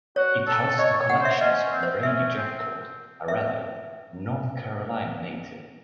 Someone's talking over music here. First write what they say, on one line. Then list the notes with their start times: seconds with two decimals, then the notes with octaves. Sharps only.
It houses the collections of Brady Jefcoat, a Raleigh, North Carolina native.
0.16 F#4 C#5
0.47 A4
0.78 C#5 D#5
0.94 D#5
0.99 C#5
1.10 F#5
1.21 C5 E5
1.41 C#4 D#5
1.72 C4
1.83 C5
2.03 C#4 E5
2.34 C4
3.28 E5